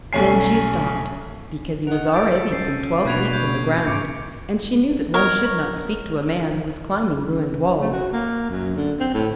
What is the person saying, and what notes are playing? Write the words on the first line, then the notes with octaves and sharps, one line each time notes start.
Then she stopped, because he was already some twelve feet from the ground, and she knew that one should not speak to a man who is climbing ruined walls.
B1 A3 C#4 G#5 C7
A#4 D#5 F#5
A4 G6 D7
C#4 C7 D7
B2 A#3 D4 F#4 B4 C#6 G#6 F7
G6
G#2 D6 C#7 D7
A#4 C#5 D#5
A3
F#4
A#3
F#2
D3
C4
A2